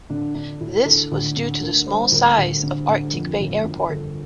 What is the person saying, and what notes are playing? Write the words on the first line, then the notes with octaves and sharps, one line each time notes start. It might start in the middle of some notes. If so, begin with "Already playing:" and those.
This was due to the small size of Arctic Bay Airport.
D3 D4
D3 D4
D2 E4
D3 A4
D2
D3
D2 A#4
G3 C5
D2 A#4
D2
D3
D3
F2
G1
G1
G1 A4